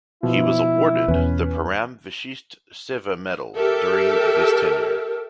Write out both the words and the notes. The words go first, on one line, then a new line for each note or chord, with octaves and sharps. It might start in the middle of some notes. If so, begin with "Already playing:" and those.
He was awarded the Param Vishisht Seva Medal during this tenure.
B2 F3 E4
E2 C#4 B4
G4 A4 A#4 E5